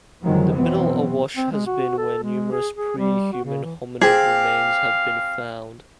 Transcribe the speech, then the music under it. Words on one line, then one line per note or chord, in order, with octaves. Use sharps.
The Middle Awash has been where numerous pre-human hominid remains have been found.
F1 D3 D#3 F3 F#3 G#3
B2 E3 F#3 B3 C4
C4
G#3
F#4
A4
G#3
G#4
G#4
G3
F#4
C#3
E3
C4 G4 G#4 F5